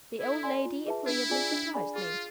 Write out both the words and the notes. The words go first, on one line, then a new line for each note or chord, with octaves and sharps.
The old lady agreeably surprised me.
E4 A4
D5 G#5 C6
F4
G#4 B4 E5 A5
D4 E4
F4 G#4 D5 G#5
D4
G#4 D5 G#5 B5
F4 G#4